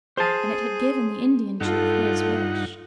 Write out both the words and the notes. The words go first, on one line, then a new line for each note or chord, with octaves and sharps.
And it had given the Indian chief his wish.
G#4 C5 A5
G2 D#4 F4 A4 F#5